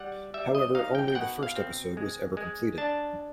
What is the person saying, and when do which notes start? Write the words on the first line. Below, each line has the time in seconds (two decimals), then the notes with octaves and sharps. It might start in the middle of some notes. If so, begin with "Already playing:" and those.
However, only the first episode was ever completed.
Already playing: G3 F#5
0.34 G3 E5
0.55 D#5
0.75 D#4 F5
0.95 G5
1.08 G5
1.15 B2 F#5
1.43 F5
1.56 C4
1.97 G#3
2.37 G#3
2.78 D4 A5